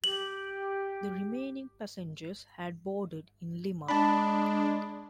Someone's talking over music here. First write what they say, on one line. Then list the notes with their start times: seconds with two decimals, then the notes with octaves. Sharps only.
The remaining passengers had boarded in Lima.
0.04 G4 F#7
3.89 G#3 D4 A5 B5